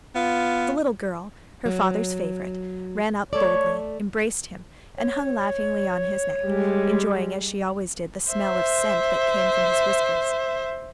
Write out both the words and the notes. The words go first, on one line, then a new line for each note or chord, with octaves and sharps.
The little girl, her father's favorite, ran up boldly, embraced him, and hung laughingly on his neck, enjoying as she always did the smell of scent that came from his whiskers.
B3 F4 F5
F#3
A3 A4 C#5 D5
C#5
G3 G#3
C5 E5